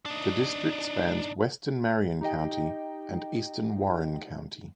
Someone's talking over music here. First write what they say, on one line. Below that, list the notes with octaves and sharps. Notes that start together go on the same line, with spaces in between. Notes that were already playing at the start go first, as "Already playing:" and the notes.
The district spans western Marion County and eastern Warren County.
D4 D#4
D#4 G4 D#5 G5